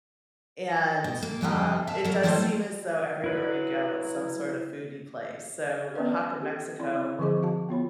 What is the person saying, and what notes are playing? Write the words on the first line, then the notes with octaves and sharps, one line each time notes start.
and, um, it does seem as though everywhere we go, it's some sort of foodie place, so Oaxaca, Mexico
B2
A#3
F2 G3 D4 D#5
E5 F5 A5
F#3 A#4
F#3 G3 A3 E4 C5 C#5
F#3 E4 B4
B3 C#4 D4 B4 D5
C#4 G4 A4
C4 E4 D5 C6
D3 F3 C4 G#4 D#5 D6
F#4 F5 A5
B3 F4 C#5 B5